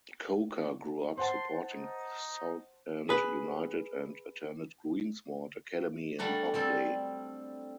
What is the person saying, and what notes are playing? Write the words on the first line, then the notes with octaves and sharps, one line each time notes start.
Coker grew up supporting Southend United and attended Greensward Academy in Hockley.
C5 F#5 A5 C6
D#4
G#4 B4
G3 A3 D4 F#4
G3 C4 A4